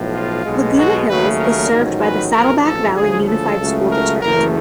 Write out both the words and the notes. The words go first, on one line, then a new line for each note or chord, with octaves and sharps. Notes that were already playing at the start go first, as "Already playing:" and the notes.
Laguna Hills is served by the Saddleback Valley Unified School District.
Already playing: B1 A2 F3
F4
B1 B2 G#3
F#4
D#2 C#3 F#3 A3 B4
A#4
A1 G#2 D#3 F#3
B4
A1 G#2 F3 A#4
A4
D2 C#3 F3 G#4
A4
C#2 C#3 F#3 A3
A#4
F#1 E2 C#3 E3 A3 A#4